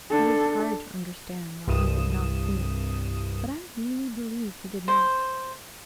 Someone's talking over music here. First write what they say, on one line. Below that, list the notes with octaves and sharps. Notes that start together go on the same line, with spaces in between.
It is hard to understand why he did not see it, but I really believe he did not.
D4 A4
C2 G2 D#6 E7
C5